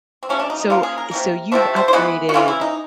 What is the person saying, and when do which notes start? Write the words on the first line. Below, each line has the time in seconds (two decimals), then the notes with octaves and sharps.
so so you've upgraded,
0.23 C4
0.29 C#3 F#3 A3 C#4
0.39 D4
0.50 D#4
0.60 D#4
0.70 C#3 F3 A#3 F4
0.83 G#4
0.98 A#4
1.11 C3 F3 A#3
1.52 C3 F3 A3 C5
1.76 C5
1.88 C5
1.93 E3 G#3 B3 B4
2.29 F#4
2.34 C#3 E3 G#3 F4
2.48 E4
2.61 D#4